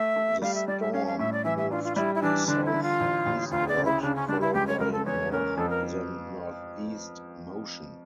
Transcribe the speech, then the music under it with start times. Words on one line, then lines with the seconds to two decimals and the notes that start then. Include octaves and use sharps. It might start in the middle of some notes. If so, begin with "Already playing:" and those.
The storm moved southeastward, followed by a north, then northeast motion.
Already playing: A3 E5
0.16 A3
0.42 G3 F5
0.55 E5
0.68 G3 D5
0.81 E5
0.93 C#4 F5
1.07 F5
1.19 A2 E5
1.32 D5
1.45 E3 E5
1.58 E5
1.71 D4 F4
1.84 F4
1.96 G3 E4
2.15 E4
2.22 E3 D4
2.48 D3 D4
2.65 E4
2.74 D3
2.83 F4
3.00 A1
3.26 A1
3.51 D2 F4
3.68 D5
3.77 C#3
3.85 E4
4.02 C#3 D4
4.16 C#4
4.28 G3 D4
4.41 E4
4.54 C#2 G4
4.67 C#5
4.80 C#2 A#4
4.93 A4
5.06 E2 C#5
5.32 C#4 A#4
5.57 F2 A4
5.70 A#4